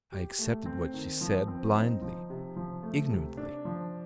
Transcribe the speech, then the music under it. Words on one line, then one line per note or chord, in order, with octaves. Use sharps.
I accepted what she said blindly, ignorantly.
G4
A3
C4
D#3
F3
C4
D#4
F3
C3
F3
A3
C3
D4
F3